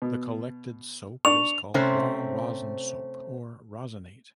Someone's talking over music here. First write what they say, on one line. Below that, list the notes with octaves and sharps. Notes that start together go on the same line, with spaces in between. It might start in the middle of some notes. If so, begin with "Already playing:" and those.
The collected soap is called "raw rosin soap" or "rosinate".
B2
D4 D5 C#6 F7
C3 A3 C4 C#4 C5